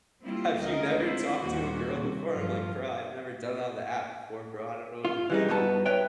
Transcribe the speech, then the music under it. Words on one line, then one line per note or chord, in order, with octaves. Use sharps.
have you never talked to a girl before?" I'm like, "Bro, I've never done it on the app before, bro. I don't know what to do."
G3 A#3 C4 E4 F4
D2 G#3 A#4 D#5
C4 E4 C5
D#2 A#2 G3 F#4
C3
G2 F3 F4
F4
E3 G3 D#4
G2 B3 D#4 F#4 A5
B4 C#5 E5 G5